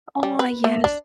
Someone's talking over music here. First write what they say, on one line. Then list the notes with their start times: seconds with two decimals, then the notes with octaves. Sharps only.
Oh, yes
0.23 G3
0.39 B4
0.64 A3
0.84 D4